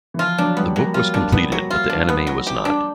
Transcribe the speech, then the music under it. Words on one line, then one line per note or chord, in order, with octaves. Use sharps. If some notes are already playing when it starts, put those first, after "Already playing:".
The book was completed but the anime was not.
E3
F3 F4
F#3 D4
G3 B3
F#3 A#3
F4
D4
B3
F#3
F4
D4
B3
F#3
G4
D4